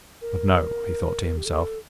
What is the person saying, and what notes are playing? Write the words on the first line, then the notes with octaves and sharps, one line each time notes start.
'But no,' he thought to himself.
A#4
G4
A4